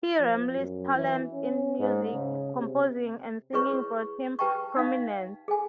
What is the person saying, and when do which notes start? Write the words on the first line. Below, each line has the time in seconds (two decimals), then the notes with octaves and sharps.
P. Ramlee's talents in music composing and singing brought him prominence.
0.20 F3
0.56 F#2
0.95 E3
1.33 C#4
1.79 G#2
2.13 C#3
2.55 C3
3.53 E4 G#4 B4 C#5 C#6
4.39 G4 B4 G5 A5 B5 C#6
4.77 D#4 F5
5.48 G#4 A4 G#5